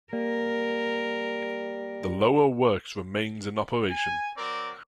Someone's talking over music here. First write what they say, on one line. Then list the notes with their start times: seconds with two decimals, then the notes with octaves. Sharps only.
The Lower works remains in operation.
0.13 G3 A#3 A#4
3.90 G#5
4.35 F#3 C4 A#4 D5